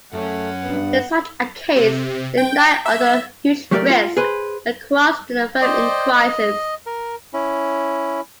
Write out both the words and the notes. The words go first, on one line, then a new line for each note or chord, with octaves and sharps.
In such a case, the knight, under huge risk, acquires the firm in crisis.
F#2 A3 C#4 F#5
G2 B3
C3
G5
E5
F#3 A3 G4 A#4 C#5 D5
F4
G#4 B4 C5
C5 D5 D#5 G5
D#5
A#4
C#4 E4